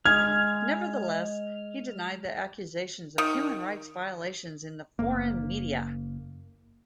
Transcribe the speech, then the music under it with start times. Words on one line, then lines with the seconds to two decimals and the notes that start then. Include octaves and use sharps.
Nevertheless, he denied the accusations of human rights violations in the foreign media.
0.06 G#3 F6 G#6
3.18 D#3
4.99 F#1 A#3